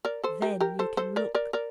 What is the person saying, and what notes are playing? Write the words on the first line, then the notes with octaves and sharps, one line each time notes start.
Then you can look.
A#4 D5
A4 C5
G4 A#4
G4 A#4
A4 C5
A4 C5
A#4 D5
A#4 D5
A#4 D5